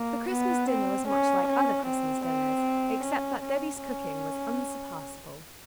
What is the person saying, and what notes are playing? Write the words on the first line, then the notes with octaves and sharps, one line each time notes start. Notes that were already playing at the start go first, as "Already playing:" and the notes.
The Christmas dinner was much like other Christmas dinners, except that Debby's cooking was unsurpassable.
Already playing: A#3
B3
C4
C#4
C#4
C4
C4
C#4
C#4
C#4